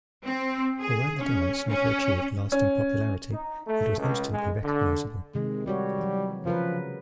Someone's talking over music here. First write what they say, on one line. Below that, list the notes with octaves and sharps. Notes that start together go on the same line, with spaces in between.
Although the dance never achieved lasting popularity, it was instantly recognizable.
C4
G#4
C#4
C#4
C#4
D#4
A3
C#2
G#3
D3
C3 D#3 G#3
G3 G#3 F#4 C#5
E3 F#3
C#3 F3 A#4 B4